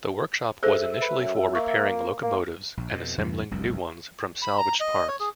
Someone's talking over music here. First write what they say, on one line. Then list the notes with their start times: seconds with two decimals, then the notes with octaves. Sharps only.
The workshop was initially for repairing locomotives, and assembling new ones from salvaged parts.
0.63 G#4 A4 C5 E5
1.02 B4
1.18 F#2
1.55 A#3 C#6
2.23 A#3
2.77 A#1
2.92 F2 B2
3.18 E2 G2 C3 E3
3.51 F1 C2 F#2
4.42 B5
4.58 A#5
4.80 D#5
5.08 C#5
5.20 G#4